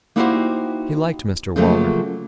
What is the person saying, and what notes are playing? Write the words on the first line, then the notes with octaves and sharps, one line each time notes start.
He liked Mr Waller.
A#3 D#4 E4 F#4 G4 C5
C#3 F3 F#3 A3 A#3